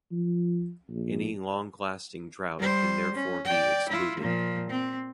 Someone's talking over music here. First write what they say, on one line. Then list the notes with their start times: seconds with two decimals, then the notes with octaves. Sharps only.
Any long-lasting drought can therefore be excluded.
0.12 F3
0.89 A#1
2.58 G3 C5
3.14 C#4
3.45 D5 G5
3.89 E4 F4
4.20 A#2 F3
4.70 C4